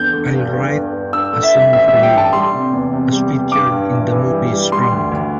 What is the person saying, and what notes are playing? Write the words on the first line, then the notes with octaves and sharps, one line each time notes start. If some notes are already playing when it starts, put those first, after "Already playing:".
"I'll Write a Song for You" was featured in the movie "Sprung".
Already playing: E2 D3 G6
D3
G2
G2
D3
G2
G2 E6
D3
E5
G3
A1 E5
E5
G3
G5
D3 A5
G3 C6
C3
E2
C3
G3
G3
G2 D6
G2
E3
E3
G3
G3
G3 C6
D2
D2